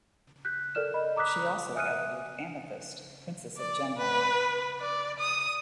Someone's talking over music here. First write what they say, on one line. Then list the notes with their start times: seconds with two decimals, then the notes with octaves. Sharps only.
She also edited "Amethyst, Princess of Gemworld".
0.45 F#6 G6 B6
0.75 A4 A#4 D5 F6 E7
0.94 D#5 B5
1.16 A#5 D6 D#6 F#6 B6
1.75 E5 G#5 D#6 F6 F#6 D#7
3.57 D5
3.98 B4
4.81 D5
5.20 D#6